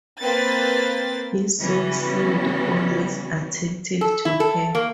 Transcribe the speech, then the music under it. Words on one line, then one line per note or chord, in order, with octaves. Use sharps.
His soul seemed always attentive to her.
A#3 C4 B4 A6
C#3 E3 G3 B3 C#4 F#4
A4
E4
A4
A#3